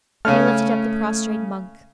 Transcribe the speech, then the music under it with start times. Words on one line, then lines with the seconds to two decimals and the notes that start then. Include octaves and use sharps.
And he lifted up the prostrate monk.
0.25 C#3 A3 C#4 F6